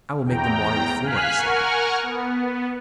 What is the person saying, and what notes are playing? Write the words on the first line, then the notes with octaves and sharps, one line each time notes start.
"I will make them water the floor," said he.
E2 G5 A#5
F5 G#5 F6 F#6 B6
A#4 F#5 G#5 C#6 F6
B3